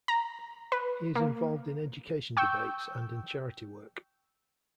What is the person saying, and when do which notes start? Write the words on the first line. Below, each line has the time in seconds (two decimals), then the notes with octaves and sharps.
He is involved in education debates and in charity work.
0.08 A#5
0.72 B4
1.15 A#3
2.37 G5 C#6 E6 G6